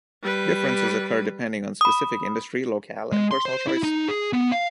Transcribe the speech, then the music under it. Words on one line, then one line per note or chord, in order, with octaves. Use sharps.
Differences occur depending on specific industry, locale, and personal choice.
G3 B4
B5 D#6
G#3
C6
C5
E4
D#4
G#4
B3
F5